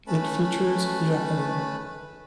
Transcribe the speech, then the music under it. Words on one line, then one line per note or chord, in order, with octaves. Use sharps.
It features Jaheim.
A3 C#4 B4 A5 B5